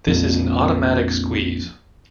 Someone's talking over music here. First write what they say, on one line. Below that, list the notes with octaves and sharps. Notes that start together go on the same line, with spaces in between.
This is an automatic squeeze.
A#1 F2